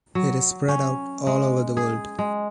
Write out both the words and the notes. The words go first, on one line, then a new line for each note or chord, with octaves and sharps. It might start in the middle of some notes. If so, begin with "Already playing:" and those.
It is spread out all over the world.
F#3
C#4
G#3
G#4
G#3